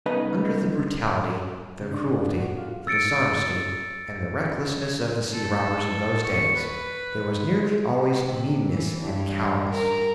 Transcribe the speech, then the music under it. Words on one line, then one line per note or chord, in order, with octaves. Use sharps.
Under the brutality, the cruelty, the dishonesty, and the recklessness of the sea-robbers of those days, there was nearly always meanness and cowardice.
C2 C#3 B3 D#4 B4 D#5
C#3
D4
F#4
F4
E6 A6 C#7 D7
A4
C#6
B4
C3
E3
G2
A#4